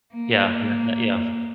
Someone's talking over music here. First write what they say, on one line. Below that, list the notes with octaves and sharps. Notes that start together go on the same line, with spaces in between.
yeah, and that that yeah.
A#3